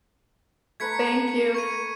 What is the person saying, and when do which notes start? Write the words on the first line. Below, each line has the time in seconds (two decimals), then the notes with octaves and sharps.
Thank you.
0.80 A3 B4 A#5 G#6 B6 C#7
1.55 C#6 C#7 D#7